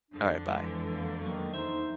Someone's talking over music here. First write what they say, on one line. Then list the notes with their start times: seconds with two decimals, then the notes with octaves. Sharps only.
Alright, bye.
0.11 F2 D3 D4
0.48 E2 E3 G#3 E4
0.89 A#3
1.22 D#3 F#3 A#3
1.54 E2 D#4 C5 E5